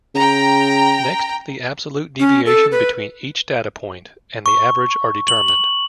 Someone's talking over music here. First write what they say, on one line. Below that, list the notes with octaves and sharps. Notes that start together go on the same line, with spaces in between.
Next the absolute deviation between each data point and the average are determined.
C#3 G5 A#5
C#4
A4
B4
C#6
F#7
F#7